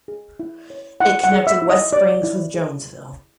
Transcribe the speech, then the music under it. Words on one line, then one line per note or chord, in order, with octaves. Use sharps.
It connected West Springs with Jonesville.
G#4
E4
C#5
E4 F#5
F#5
G#4
E5
E4
D#5
C#5 D5
E4
G#4